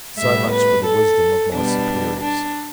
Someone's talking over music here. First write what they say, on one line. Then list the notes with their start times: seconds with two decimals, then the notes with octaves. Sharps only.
So much for the wisdom of my superiors.
0.18 A2 G3 B3 E5
0.52 B4
0.86 A4
1.53 B2 G3 B3 D4
2.19 D4